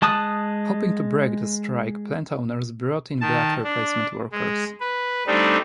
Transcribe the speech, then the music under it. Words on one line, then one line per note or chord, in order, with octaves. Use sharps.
Hoping to break the strike plant owners brought in black replacement workers.
G#3 A5 D#6 F#6
D#3 A5
D4
G#3
B4
G3 A3 C4 D4 D#4